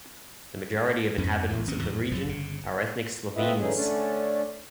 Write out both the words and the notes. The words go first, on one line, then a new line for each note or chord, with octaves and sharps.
The majority of the inhabitants of the region are ethnic Slovenes.
F2 G#2 B3 C#4
A#1 E2 A2
G#1 D#2 C4 C#4
E2 A2 F3 F#3
C2 F#2 F3 F#3
G1 C#3
A3 C4 F4 B4 D#5 E5
D3 E3 C#4 D#4 G#4
D3 A3 C#4 D4